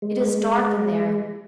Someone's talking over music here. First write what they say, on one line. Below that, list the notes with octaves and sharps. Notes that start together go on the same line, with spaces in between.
It is dark in there.
G#3